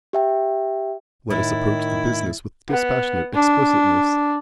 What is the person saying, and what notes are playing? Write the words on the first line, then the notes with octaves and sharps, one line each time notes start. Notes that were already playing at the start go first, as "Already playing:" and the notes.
Let us approach the business with dispassionate explicitness.
G4 E5 G5
A2 D#3 E4
B3
D4